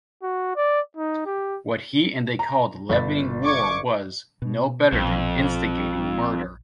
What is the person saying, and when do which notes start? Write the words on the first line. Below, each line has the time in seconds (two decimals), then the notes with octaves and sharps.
What he and they called levying war was, no better than instigating murder.
0.23 F#4
0.56 D5
0.97 D#4
1.26 G4
2.39 A#5
2.89 G1 B5 A6
3.44 C#6 D6 G#6
4.42 B2
4.92 A#1 F2 B2